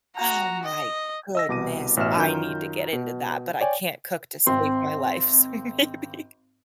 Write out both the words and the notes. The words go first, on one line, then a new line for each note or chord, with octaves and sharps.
Oh my goodness, I need to get into that, but I can't cook to save my life, so maybe.
F#4 A#5
D#5
D#5 E6 A#6
C2 B2 D6 A#6 D#7
A1 B2 E5 F6 E7
F#2 D#3 F4 A#5 G6
B2
C#5 D5 G5 G#5
G#1 C4 C6